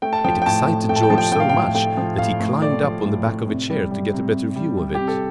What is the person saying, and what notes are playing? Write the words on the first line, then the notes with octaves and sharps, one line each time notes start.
It excited George so much that he climbed up on the back of a chair to get a better view of it.
A3 G5
A5
F3 G5
G5
A2 A5
A2
A3 G5
A5
G5
F3 A5
G5
A2 G5
F5
A2 G5
A3 G5
F3
A2 F5
A2
A3 D5
F3
A2
A2
C3
G3
G3
C3
C3
G3
G3
C3 G4
A4